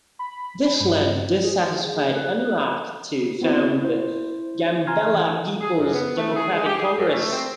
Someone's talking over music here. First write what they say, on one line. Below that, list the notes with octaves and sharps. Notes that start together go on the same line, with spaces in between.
This led dissatisfied Anuak to found the "Gambella People's Democratic Congress".
B5
G2
G#4
F#6
B3 C4 E4 F#4 C5
E4 C5
G#5 A#5 C6 F6 G#6
E3
G#4
F#2
B3
A3
G#4
G#3
G4
G#4
F#2
A3
C4